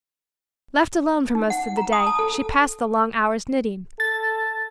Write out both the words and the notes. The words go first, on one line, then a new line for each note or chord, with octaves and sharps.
Left alone for most of the day, she passed the long hours knitting.
D#4
F#5
A#5
D#6
A5
A4
A4 A6